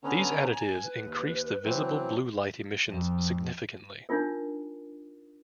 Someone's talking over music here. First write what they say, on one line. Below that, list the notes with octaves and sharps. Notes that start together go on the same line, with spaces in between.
These additives increase the visible blue light emissions significantly.
D3 B3 C#4 A#5
G#5
B4
D#2
E3 F#3 C4
F2
D4 D#4 F4 A#4